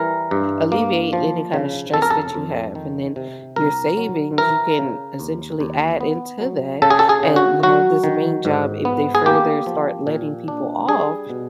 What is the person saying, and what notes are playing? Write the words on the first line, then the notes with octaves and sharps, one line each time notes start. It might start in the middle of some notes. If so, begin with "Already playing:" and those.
alleviate any kinda stress that you have, and then your savings, you can essentially add into that and, you know, this main job, if they further start letting people off,
Already playing: E3 G3 A#4
G2
A#3
F3
C#3
F2 A4
A#4
A4
F2
D#3
C3
C2 A#4
F#3
E3 A#4
C#3
D#2
D#2
B3
F#3
C#3 A4
G#4
A4
G#4
C#3
F#4
F#3 F#4
D#3
G#2
B3
G#4
A#3 G4
F3
A#2
D4
G3 G#4
B2